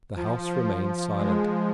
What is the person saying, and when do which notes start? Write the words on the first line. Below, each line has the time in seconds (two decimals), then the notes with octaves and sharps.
The house remained silent.
0.16 F3
0.50 F3
1.18 G#3